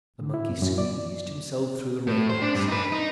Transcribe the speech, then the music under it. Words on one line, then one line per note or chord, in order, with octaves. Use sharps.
The monkey squeezed himself through the railings.
D3
E4
F#2
F#2
D5
A2
C5
D4
G2
D#4 B4
D#4